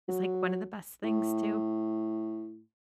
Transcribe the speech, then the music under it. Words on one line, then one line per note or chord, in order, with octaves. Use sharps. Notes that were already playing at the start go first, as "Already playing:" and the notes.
is, like, one of the best things, too?
F#3
A2